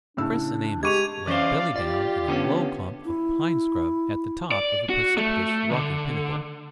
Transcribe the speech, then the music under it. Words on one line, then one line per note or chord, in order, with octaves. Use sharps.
Chris and Amos lay belly down in a low clump of pine scrub at the top of a precipitous rocky pinnacle.
A2 C#3 D4 E6
G#3 G4 C#6 G#6 D#7 F7
E3 C#4 C5 D5 F5
F4 G4 D5
D3 B3 C#4
E4
D5
F#4
A3
D3